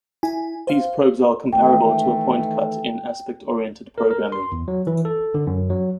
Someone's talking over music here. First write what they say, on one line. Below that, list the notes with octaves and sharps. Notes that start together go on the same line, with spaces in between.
These probes are comparable to a pointcut in aspect-oriented programming.
E4 G#5
C5 F5
D#3 E3 A3 G5
A#4
A#4
C6
E2
F#3
E3
A4
D3
F#2
F#3